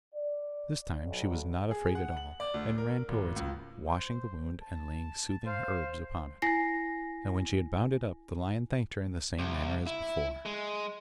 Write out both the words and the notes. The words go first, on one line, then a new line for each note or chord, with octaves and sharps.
This time she was not afraid at all, and ran towards him, washing the wound and laying soothing herbs upon it; and when she had bound it up the lion thanked her in the same manner as before.
D5
B1
G#4
F#5
F#7
D5
D2
A#4
G#1
C#2
C5
A5
C5 F5
E4 G#5 A#6 C7
C2
E4
G#3